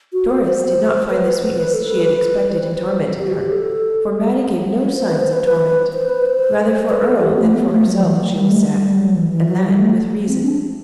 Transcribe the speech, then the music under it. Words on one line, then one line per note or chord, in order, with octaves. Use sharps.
Doris did not find the sweetness she had expected in tormenting her, for Mattie gave no signs of torment--rather for Earle than for herself she was sad, and that with reason.
F#4
C5
C5
B4
B4
C5
B4
A4
B4
C5
B4
C5
G4
F#4
G4
A4
C5
B4
C5
B4
B4
C5
B4
C5
B4
A4
G4
A3
B3
A3
F#3
E3
F#3
G3
A3
G3
G3
F#3
E3
E3
F#3
G3
A3
C4
D4